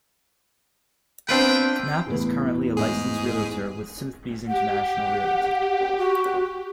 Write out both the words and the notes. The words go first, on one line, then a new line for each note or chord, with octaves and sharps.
Knapp is currently a licensed realtor with Sotheby's International Realty.
B3 C4 D4 F4 B4 G5
E2 A2 B3
G#2 G#4
G4 F#5
F#4